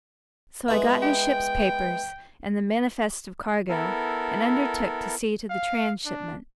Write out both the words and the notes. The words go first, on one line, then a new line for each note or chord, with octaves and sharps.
So I got his ship's papers, and the manifests of cargo, and undertook to see to the trans-shipment.
G#3 B3 E4
G5
B3 E4 A4 A#4
F5
D4